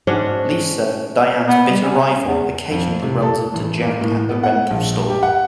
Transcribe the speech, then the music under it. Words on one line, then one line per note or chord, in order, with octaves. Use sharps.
Lisa, Diane's bitter rival, occasionally runs into Jack at the rental store.
G#2 C#4 D4 F#4
B3
G3
C#4
E2
F2
C3
A4
A1
A#3
A2
B3
F#5
A#1
G4
F#5